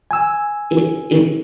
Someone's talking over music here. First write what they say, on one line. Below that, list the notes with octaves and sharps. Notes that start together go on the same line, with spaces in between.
it it
G#5 E6